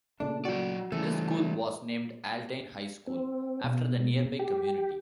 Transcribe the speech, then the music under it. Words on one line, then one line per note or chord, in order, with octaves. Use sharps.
This school was named Aldine High School, after the nearby community.
A#2 C#3 A3 D4
F#3 F#4 D5
C#3 E3 G3 A3
C4
B2
G4